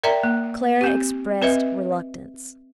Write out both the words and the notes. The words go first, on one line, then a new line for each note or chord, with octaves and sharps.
Clara expressed reluctance.
A#4 D5 E5 G5 A#5
A#3
C4 G4
C4 B4 D#5 E5